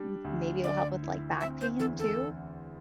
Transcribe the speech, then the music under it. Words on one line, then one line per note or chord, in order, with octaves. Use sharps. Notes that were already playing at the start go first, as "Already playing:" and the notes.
M maybe it'll help with, like, back pain, too?
Already playing: G3 D4
D2
D3 D5
E4
C4 E5
C5
E2 A4
A4